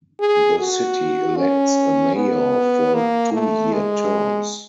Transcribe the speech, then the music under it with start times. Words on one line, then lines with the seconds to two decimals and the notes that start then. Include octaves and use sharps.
The city elects a mayor for two-year terms.
0.20 G#4
0.59 F#4
1.37 C#4
2.15 B3
2.94 A#3
3.33 A3
3.72 G#3